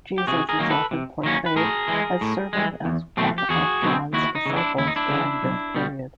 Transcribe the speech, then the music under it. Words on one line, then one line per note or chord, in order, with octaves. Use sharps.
Jesus is often portrayed as serving as one of John's disciples during this period.
G4
C3 F#4 G#4
G#4 A#4
D#3 F#3 A#3 C#4
A4 B4
C3
D#3 F#3 A#3 C#4
B4
A2 G#4 A#4
E3 G#3
A2
E3 G#3
E2
B2 F#3 A3 C4
G4
E2 F#4 G#4
B2 F#3 A3 C4
D#2 E4 F#4
D#4
C#3 E3
D4 E4
D#2 E4
D#4
D4 E4
C#3 E3
B1
B2 G3